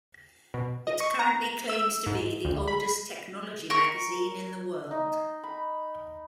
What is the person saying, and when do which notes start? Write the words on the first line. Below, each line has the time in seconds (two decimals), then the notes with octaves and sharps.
It currently claims to be the oldest technology magazine in the world.
0.54 B2
0.87 D#5
1.00 C#6
1.19 A#5
1.70 E6
2.06 G#2
2.45 D2
2.68 B5
3.70 A#4 C#6
4.91 D#4
5.43 B5